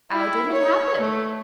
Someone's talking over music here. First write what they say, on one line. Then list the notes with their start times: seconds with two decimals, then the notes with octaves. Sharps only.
"How did it happen?"
0.12 E4
0.53 C#5
1.00 A3